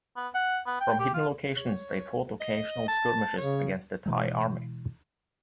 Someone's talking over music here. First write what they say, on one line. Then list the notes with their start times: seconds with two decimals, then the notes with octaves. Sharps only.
From hidden locations they fought occasional skirmishes against the Thai Army.
0.16 B3
0.35 F#5
0.67 B3
0.81 G5
1.00 G4
1.14 F4
1.56 C#5
2.41 D#5
2.88 A5
3.38 C#3 C#5
4.06 B2 E3 G#3